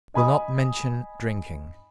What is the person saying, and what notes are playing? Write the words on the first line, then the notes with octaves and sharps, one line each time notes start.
Will not mention "drinking."
D#5 G#5 B5 D#6